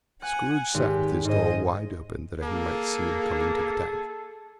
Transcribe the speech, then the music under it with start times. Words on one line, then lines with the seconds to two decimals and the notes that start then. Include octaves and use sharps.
Scrooge sat with his door wide open, that he might see him come into the Tank.
0.22 F#5 G#5 F#6
0.74 G#1 G4
1.25 G#2 G#4 C5 D#5
2.43 A#3 G#4 A4